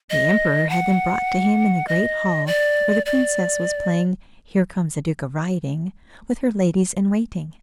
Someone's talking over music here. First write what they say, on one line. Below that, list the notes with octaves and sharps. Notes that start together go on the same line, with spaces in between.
The Emperor had them brought to him in the great hall, where the Princess was playing 'Here comes a duke a-riding' with her ladies-in-waiting.
D#5
F#5
D#5
D5
D5